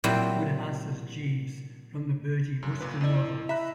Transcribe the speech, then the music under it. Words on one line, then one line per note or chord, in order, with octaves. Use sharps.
Wodehouse's Jeeves from the Bertie Wooster novels.
A#2 F#3 G3 C4 E4
F#2 F#3
G1 A#2 B4
F2 E4 D5 D#5
E5 A#5 B5 F#6